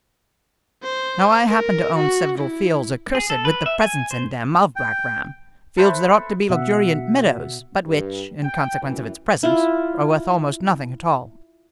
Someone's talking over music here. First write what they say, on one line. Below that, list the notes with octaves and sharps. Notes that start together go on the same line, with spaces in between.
Now I happen to own several fields accursed with the presence in them of Black Ram--fields that ought to be luxuriant meadows, but which, in consequence of its presence, are worth almost nothing at all.
C5
A#4
F#4
E4
G#4
A4
B4
E5
G#5
C5
G5
A4 B4 C5 E5
B2 E5 F#5
G2
G5
F#2 E3
E4 F4